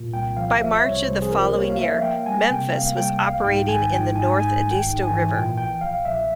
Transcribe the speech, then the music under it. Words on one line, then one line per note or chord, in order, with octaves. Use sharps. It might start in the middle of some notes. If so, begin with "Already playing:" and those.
By March of the following year, "Memphis" was operating in the North Edisto River.
Already playing: A#2
C2 G5
F3 F5
F3 E5
C2 C#5
C2 C5
G#4
F3 A#4
A#3 C#5
F5
A#3 E5
F5
A#3 G5
G3 G#5
C3 G5
A#3 F5
G3 G5
C2 F5
G#2 G5
G#1 G#5
G#2 G5
G#2 G#5
G#1 G#5
G#1
G5
G#2
G#5
E3
A#2 G5
A#1 G5
A#1 F5
A#1 E5